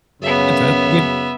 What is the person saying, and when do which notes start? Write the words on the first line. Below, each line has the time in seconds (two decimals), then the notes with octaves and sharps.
That's a that's a good
0.22 F#2 C#3 B3 E5